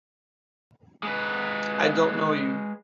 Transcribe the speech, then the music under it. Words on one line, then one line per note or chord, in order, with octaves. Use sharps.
I don't know you!
G#3 B4